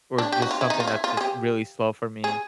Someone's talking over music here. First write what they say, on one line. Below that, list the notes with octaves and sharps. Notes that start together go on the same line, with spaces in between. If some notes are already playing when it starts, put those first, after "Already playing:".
or just something that's just really slow for me.
D4
G4
F#4
F4
E4
D#4
F4
E4
F4
G#4
G4
G#4